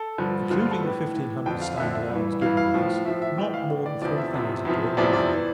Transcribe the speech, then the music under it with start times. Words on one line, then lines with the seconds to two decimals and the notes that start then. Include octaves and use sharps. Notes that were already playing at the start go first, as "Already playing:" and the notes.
Including the fifteen hundred stand of arms given by us, not more than three thousand are in the island.
Already playing: A4
0.18 G2 D3 F3
0.50 G2 D3 F3 F4
0.60 F4
0.71 A4
0.81 A2 E3 B4
1.14 A2 E3
1.46 F2 D3 F3 G5
1.62 F5
1.77 F2 D3 F3 E5
1.93 E5
2.10 G2 E3
2.41 G2 E3 F5
2.57 F5
2.74 A2 F3
3.05 A2 F3 E5
3.22 E5
3.37 A2 E3 G5
3.54 F5
3.70 A2 E3
3.86 D5
4.02 E2 C3 F3 D5
4.18 E5
4.33 E2 C3 F3
4.65 E2 C3 F3
4.97 E2 C3 F3 D5
5.13 D5
5.33 E3